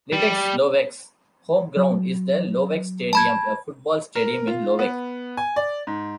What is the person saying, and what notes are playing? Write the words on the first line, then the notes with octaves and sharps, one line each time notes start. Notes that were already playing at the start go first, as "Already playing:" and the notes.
Litex Lovech's home ground is the Lovech Stadium, a football stadium in Lovech.
G3
F#3
A5 B5 G#6
A#4
F4
B3
G#5
D5
G#2